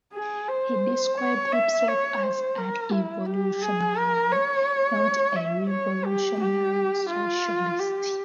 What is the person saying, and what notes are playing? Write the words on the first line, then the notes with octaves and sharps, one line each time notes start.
He described himself as an evolutionary, not a revolutionary, socialist.
G#4
C5
C#5
E5
C#5
C5
A#4
E4
G4
G#4
A#4
C#5
E5
C#5
G4
G4
F4
G4